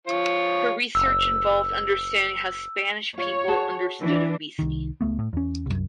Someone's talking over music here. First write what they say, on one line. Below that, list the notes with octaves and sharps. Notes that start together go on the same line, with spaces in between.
Her research involved understanding how Spanish people understood obesity.
F3 F4 C#5
F#1 E6
F4 C#5
F#4 G#4 A5
E3 D4
C2 D#3
C#2 A3 B3
A2
E2 C#4
C2 F#2